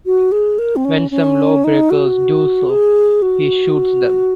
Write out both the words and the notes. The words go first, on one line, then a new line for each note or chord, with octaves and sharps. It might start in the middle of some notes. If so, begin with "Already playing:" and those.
When some lawbreakers do so, he shoots them.
F#4
G#4
A#4
C4
C#4
C#4
D#4
F#4
G#4
F#4